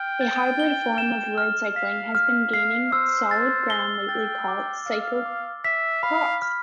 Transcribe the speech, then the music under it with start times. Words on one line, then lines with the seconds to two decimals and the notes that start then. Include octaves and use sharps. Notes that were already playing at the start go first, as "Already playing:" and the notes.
A hybrid form of road cycling has been gaining solid ground lately called Cyclo-cross.
Already playing: G5 F6
0.21 A6
0.60 G7
0.98 E7
1.38 F6
1.76 F5 B6
2.15 F5 F6
2.53 F5 C7
2.92 C5 E6
3.31 A6
3.70 G7
4.08 G5 A6
4.48 D6
4.86 F5 F6
5.26 D6
5.64 E5 B6
6.03 F5 B5
6.42 F6